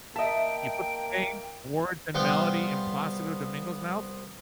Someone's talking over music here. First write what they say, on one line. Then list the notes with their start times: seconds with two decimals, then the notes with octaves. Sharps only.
You put the same words and melody in Plácido Domingo's mouth
0.16 A#3 D#5 E5 G5 A5
2.15 C2 F3 B3 F4 G5